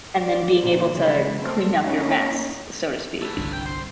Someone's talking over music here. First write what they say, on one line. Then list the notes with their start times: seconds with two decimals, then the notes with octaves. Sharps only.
And then being able to clean up your mess, so to speak.
0.23 D5
0.62 A#2 D3 E3
0.94 C#3 E3 G#3 B4
1.40 F#3 A3 C4 A4
1.82 A#3 C#4 D#4 E4
3.22 A4 B4
3.37 G1 C2 D4
3.53 D#3 G5
3.66 C5